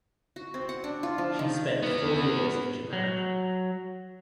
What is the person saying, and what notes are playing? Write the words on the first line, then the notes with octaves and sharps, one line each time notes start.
She spent four years in Japan.
F#4
C4
F#5
D4
F4
F3
D#3
E3 B3
F#3